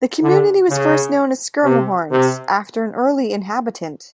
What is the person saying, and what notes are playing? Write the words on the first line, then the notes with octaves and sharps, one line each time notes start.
The community was first known as "Schermerhorn's" after an early inhabitant.
D3
C#3
C3
C3